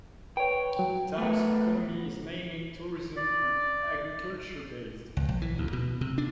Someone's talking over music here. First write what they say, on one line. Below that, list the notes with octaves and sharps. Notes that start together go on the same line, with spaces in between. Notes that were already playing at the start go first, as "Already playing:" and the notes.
The town's economy is mainly tourism and agriculture-based.
B4 C#5 G5
F#3
A3 B3
D5
C#2
A#1
E3
D2
B2
C3
D4